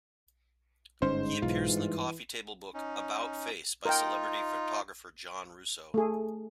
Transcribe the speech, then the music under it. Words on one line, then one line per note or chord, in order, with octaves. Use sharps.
He appears in the coffee table book "About Face" by celebrity photographer John Russo.
G1 G#2 C#4 D#4 C5
B1 E3 F4
G2
C#4 D#4
D#4 F4 A#4 G5
A3 G#4